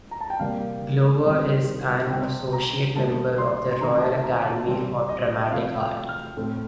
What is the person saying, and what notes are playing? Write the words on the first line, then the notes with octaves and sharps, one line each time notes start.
Glover is an Associate Member of the Royal Academy of Dramatic Art.
A#5
A5
G5
C3 G3 A#3 F5
D#3 G3 C4
C3 G3 C4 G5
A#5
D3 G3 A#3 A5
C6
C6
D#3 A3 C4 A#5
A5
A#5
A5
C3 G3 C4
D#5
C3 F3 A3 F5
G5
F6
A2 A3 C4